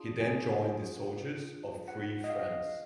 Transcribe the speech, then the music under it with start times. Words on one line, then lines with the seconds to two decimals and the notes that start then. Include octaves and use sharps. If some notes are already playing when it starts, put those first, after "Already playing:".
He then joined the soldiers of Free France.
Already playing: D4 F4 G#4
0.20 G#5
1.88 F#5
2.24 D#5
2.30 F5